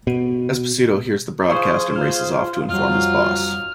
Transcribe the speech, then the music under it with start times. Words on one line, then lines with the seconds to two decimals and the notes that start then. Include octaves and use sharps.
Esposito hears the broadcast and races off to inform his boss.
0.07 B2
1.49 F3 G#4 C5 F5 C#6 D#6
1.96 F4 F6
2.69 F2 F#3 G3 C4 D#4 F4 F6